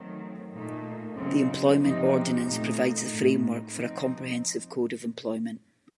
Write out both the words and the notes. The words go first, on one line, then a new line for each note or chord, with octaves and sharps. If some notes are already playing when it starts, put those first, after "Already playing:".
The Employment Ordinance provides the framework for a comprehensive code of employment.
Already playing: D#3 F#3 A3 C4
A#2 A3 D#4
C#3 F#3 C4 D#4
C3 F3 C4 D#4
A#2 A3 D#4
A2 A3 D#4
F3 C4 D#4